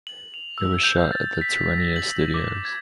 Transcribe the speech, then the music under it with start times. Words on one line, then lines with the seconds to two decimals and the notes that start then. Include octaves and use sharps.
It was shot at the Tirrenia Studios.
0.07 F#7
0.34 F7
0.58 E6
0.83 G6
1.12 A6
1.41 B6
1.78 A#6
1.96 F#7
2.15 F#7
2.34 D6
2.65 G#6